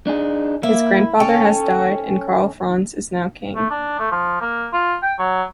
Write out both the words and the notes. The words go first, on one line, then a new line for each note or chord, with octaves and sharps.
His grandfather has died, and Karl Franz is now King.
D4 D#4 G#4
A#3 E4
C#4 A4 G5
A3
D4
A3
F3
A#3
F4
G5
F#3